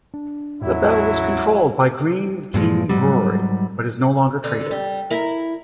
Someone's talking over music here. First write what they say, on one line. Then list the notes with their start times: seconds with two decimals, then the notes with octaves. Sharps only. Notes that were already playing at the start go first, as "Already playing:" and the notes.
The Bell was controlled by Greene King Brewery but is no longer trading.
0.14 D4
0.61 E2 A2 F#3 E4
2.54 G2 A#2 F3 G#3
2.89 G#2 F#3 G3
4.44 D3
4.71 G3
5.11 E4 A#4